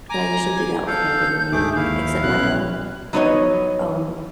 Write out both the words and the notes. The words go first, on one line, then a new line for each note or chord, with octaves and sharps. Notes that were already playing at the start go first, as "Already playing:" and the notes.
and I usually do that with hamburger meat, except my daughter, um,
G#5 A#5 D6
G#6
A4 F5 G6
D2 G#2 A3 G#4 D6
D#2 E4 F5
A#1 B2 C#4 F#6
F#3 B3 D#4 A#4 C#5 D#5